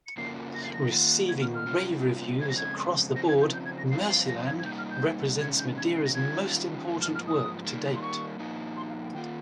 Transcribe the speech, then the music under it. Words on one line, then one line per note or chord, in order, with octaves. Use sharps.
Receiving rave reviews across the board, "Mercyland" represents Madeira's most important work to date.
C#7
F2 C#3 F3 A#3 C7
A#6
C7
A#6
D#3 A#3 F4
G#6
F6
F6
C3 G3 A#3 C#4 F4
F2 C#3 G#3 C4 G#6
A#6
G#6
C#3 F3 C4 A#6
G#6
G6
G6
G#6
A#6
G2 F3 C4 F4 C7
C7
A#6
G#6
G#6
C3 G3 A#3 D#4 G6
F6
G6
C3 D#3 G#3 C#4 G#6
G6
G#6
C#7
C7
A#6
D#3 G3 C#4 F4 G#6
G#2 F3 A#3
F6
F6
D#6
D#3 G3 A#3
C6
C#6
A#2 F3 A#3 D#4
C6
F5
G5
D#3 A#3 F4 G5